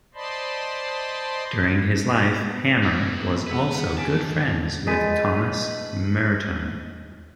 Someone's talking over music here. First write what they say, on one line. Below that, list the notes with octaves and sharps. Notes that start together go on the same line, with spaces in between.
During his life, Hammer was also good friends with Thomas Merton.
C5 D5 D#5 A5 B5 C6
B3
A#3 E4
E1 G#3 B4 F#5 E6
G#2 G#5 A5 B6 D7
G#3 A3 B4